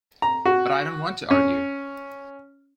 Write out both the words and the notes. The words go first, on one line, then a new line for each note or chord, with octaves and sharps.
But I don't want to argue.
A#5
F#4
C#4